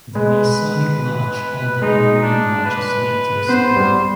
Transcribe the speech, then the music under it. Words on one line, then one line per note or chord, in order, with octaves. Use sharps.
The Masonic lodge Old Hymerian Lodge is linked to the school.
G#3 B4
G#3 D#4
D4
B4
B3 C5
G3